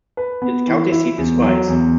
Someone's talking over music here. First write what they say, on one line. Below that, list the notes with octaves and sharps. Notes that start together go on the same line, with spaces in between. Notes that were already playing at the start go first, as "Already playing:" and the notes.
Its county seat is Wise.
B4
B3
E3
E4
E2
F#3
E2